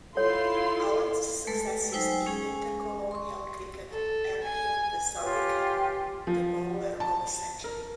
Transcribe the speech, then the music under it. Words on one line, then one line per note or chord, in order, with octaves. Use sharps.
Allan's successes in intercolonial cricket earned him the sobriquet "the bowler of a century".
E4 F4 A4 C#5 C6
G#3 A3 A4 B4
F#3 D#4 C5 G5 G#5 E6
G#3 C#4 G#4 G#5
C6 C#6
A4
G#5
F4 G4 B4 C#5 G#5
F3
A5
A#4